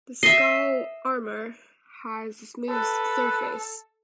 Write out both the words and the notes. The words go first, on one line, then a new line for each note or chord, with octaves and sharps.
The skull armour has a smooth surface.
D#5 E5 C7
A4 B4